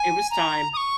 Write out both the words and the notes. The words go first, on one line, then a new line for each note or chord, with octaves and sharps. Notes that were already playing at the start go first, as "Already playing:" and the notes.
it was time.
Already playing: G#5
A#5
D#6
C#6